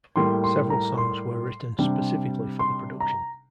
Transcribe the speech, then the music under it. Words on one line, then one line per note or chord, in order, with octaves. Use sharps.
Several songs were written specifically for the production.
A2 G3 A#3 C6
C6
A#5
C6
C3 G3 D4
C6
A#5